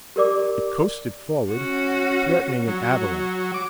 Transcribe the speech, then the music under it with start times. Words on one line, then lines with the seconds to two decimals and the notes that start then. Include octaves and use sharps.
It coasted forward, threatening an avalanche.
0.16 G4 A#4 D5 D6
1.51 C#4 F#4
2.68 F#3
3.54 D6